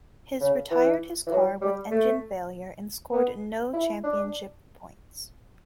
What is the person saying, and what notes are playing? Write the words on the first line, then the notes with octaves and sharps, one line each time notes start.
His retired his car with engine failure and scored no championship points.
C#3
E3
E3
F#3
G3
A3
B3
E4
D4